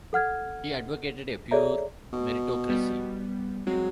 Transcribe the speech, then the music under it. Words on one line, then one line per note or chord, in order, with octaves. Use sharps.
He advocated a pure meritocracy.
A4 F#5 F6 G#6
G#4 A4 C#5 D5 E5 A#5
B2
G3 B3
F#3 G#3 C4